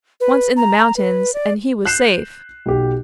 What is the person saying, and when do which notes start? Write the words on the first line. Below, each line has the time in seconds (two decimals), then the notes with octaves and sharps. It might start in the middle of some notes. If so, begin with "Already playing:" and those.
Once in the mountains and he was safe!
0.20 B4
0.57 A#5
0.78 A#5
0.97 B4
1.34 D5
1.85 F#6 G6 C7 E7
2.66 B1 G4